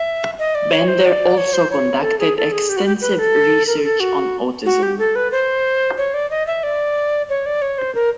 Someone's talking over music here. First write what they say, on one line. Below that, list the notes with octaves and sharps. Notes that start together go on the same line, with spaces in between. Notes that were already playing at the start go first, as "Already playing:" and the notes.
Bender also conducted extensive research on autism.
Already playing: E5
D#5
D5
C#5
C5
D5
C#5
C5
C#5
A4
G#4
A4
G#4
G4
F#4
G4
B4
A4
A#4
A4
F#4
F#4
G4
A4
B4
C5
C#5
D5
D#5
E5
D5
C#5
D5
C#5
C5
A#4